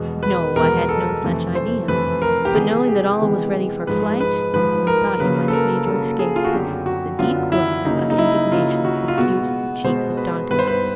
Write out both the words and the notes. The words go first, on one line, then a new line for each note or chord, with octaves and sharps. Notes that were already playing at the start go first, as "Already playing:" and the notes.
"No, I had no such idea; but, knowing that all was ready for flight, I thought you might have made your escape." The deep glow of indignation suffused the cheeks of Dantes.
Already playing: E2 B2 G#3 B3
B4
E2 B2 G#3 B3 A#4
A4
F2 C3 E3 A3
C5
F2 C3 E3 A3 B4
A#4
G4
C3 E3 G#3 B3 G#4
G4
C3 E3 G#3 B3
G#2 F3 G#3 B4
B4
G#2 F3 G#3 B4
A#4
C#3 F#3 A#3 B4
A4
A#4
C#3 F#3 A#3 A4
G#4
F4
F#4
F#2 D3 F#3 B3 G4
F#4
F#2 D3 F#3 B3 F4
E4
C#3 F#3 A#3 D#4
D#4
E4
C#3 F#3 A#3 F4
F#4
F4
B2 G#3 B3 F#4
B2 G#3 B3 C5
B4
G2 D#3 G3 B3 B4
C5
B4